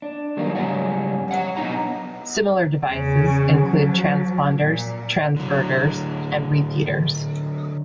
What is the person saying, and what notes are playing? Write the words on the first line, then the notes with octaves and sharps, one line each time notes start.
Similar devices include transponders, transverters, and repeaters.
D4
D#3 F#3 G3 A#3 C#4 D4
G#2 C#3 F#3 G3 C#4 F#4
F3 C#5 F#5
B2 F#3 B3 D4 D#4 A#5
E2 C#3
F3 F#3
A#2
D3 F#3